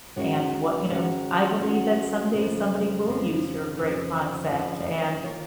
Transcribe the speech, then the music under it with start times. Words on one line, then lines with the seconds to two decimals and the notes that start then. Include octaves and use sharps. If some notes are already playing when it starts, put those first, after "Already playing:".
and what you know, I believe that someday somebody will use your great concept and
0.16 D#3 G#3 C#4 F#4 C#5
0.89 D#3 G#3 C#4 F#4 C#5
1.61 D#3 G#3 C#4 F#4 C#5
2.34 F2 C#3 F3
3.06 F2 C#3 F3
3.78 F2 C#3 F3
4.51 F2 C#3 F3
5.23 D#3 A#3 F4 A#4 C#5